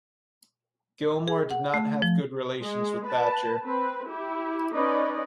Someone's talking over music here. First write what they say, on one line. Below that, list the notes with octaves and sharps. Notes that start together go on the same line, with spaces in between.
Gilmour did not have good relations with Thatcher.
G#4
F#5
A3
F3
G#3
B4 A5
C4 B4
E4 G4
C#4 D#4 B4 D5 D#5